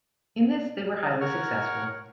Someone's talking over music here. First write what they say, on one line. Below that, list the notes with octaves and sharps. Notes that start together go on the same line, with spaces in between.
In this they were highly successful.
A#4 C#5 F#5 C#6 F6